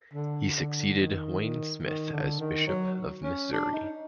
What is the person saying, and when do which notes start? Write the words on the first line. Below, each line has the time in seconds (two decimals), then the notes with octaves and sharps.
He succeeded Wayne Smith as Bishop of Missouri.
0.14 D3
0.57 D3
0.99 D#3
1.83 D#3
2.12 D3
2.40 D#3
2.67 F#3
3.24 C#4
3.53 D4
3.73 D#4